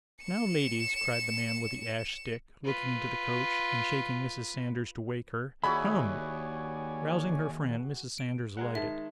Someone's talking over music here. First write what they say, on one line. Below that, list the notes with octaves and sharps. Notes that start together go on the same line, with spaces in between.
'Now, ladies,' cried the man with the ash stick, looking into the coach, and shaking Mrs. Sanders to wake her, 'Come!' Rousing her friend, Mrs. Sanders alighted.
C#7 E7
F4 B4
D#2 E4 F#4 G#4 C#5 D5 G#5 B5
D7
G#3 A#4 F#5
D#3 G#3 E5 A5